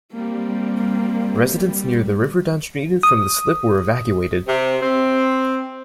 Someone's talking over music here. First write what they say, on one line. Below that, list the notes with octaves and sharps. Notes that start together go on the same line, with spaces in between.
Residents near the river downstream from the slip were evacuated.
G3 A#3 C4
D#6
C3
C4